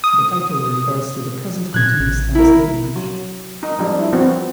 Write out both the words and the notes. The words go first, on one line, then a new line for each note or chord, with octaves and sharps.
The title refers to the present continuous tense in English.
D#6
A#2 F#6 G#6 A#6
A1
E4 A#4
F#3
D#4
F3 G3 D4
E4
F3 B3 C4 F#4